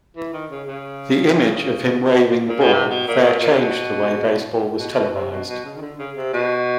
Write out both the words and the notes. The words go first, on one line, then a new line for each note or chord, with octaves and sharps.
The image of him waving the ball fair changed the way baseball was televised.
E3
D#3
C#3
C#3
A#2
B2
C3
B2
A#2
A#2
A#2
C3
B2
B2
B2
C3
B2
B2
C#3
D#3
D3
C#3
C3
B2